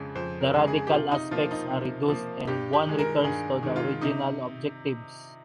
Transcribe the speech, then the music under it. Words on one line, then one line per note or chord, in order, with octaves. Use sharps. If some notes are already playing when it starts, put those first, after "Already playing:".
The radical aspects are reduced and one returns to the original objectives.
Already playing: F2 C#3 G#3
F2 C5
A#4
C#3 G#3
G#4
G4
C3 F4
D#4
F3 A#3 F4
D#4
C3
F3 A#3
G2 G4
G4
D#3 G#3
A#4
G2 G#4
D#3 G#3
F4
C3 D#4